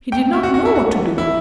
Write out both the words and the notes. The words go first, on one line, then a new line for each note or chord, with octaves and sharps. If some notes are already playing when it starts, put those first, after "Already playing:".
He did not know what to do.
G5
E4
F#4
F#4
E4
F#4
E4